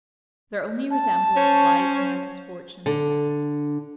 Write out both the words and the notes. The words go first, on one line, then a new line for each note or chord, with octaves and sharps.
Their only resemblance lies in their misfortunes.
A5
C#4 C5 C#5
D3